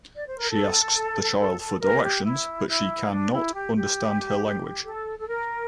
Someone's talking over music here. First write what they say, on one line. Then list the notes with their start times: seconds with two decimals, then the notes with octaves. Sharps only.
She asks the child for directions but she can not understand her language.
0.14 D5
0.26 C5
0.38 A#4
0.50 A4
1.37 A4
1.59 A4
1.80 A#4
2.02 G4
2.24 E4
2.67 E4
3.10 D4
3.32 E4
3.53 G4
3.75 G4
4.84 A4
5.19 A4
5.27 A#4